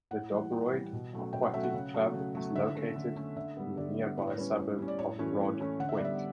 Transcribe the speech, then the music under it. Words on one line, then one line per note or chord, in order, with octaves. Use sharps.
The Dobroyd Aquatic Club is located in the nearby suburb of Rodd Point.
A2 F#5
E3 G3
A2 G5
E3 G3
B2
F#3 A3 C#4
B2 G5
F#5
F#3 A3 C#4 E5
F#5
C#3
F#3 A3
C#3
F#3 A3
D3 E5
A3 C#4
D3
A3 C#4
D3 E5
G3 B3
D3 D5
G3 B3
A2 B4
C#5
G3 C#4 B4
A2
G3 C#4
D5
A2 C#5
E3 A3 C#4
A2
E3 A3 C#4
D3 F#5
E5
D5
G3 B3 E5